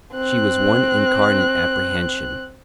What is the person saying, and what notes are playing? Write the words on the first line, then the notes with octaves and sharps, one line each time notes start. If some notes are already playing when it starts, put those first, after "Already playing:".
She was one incarnate apprehension.
C4 F#6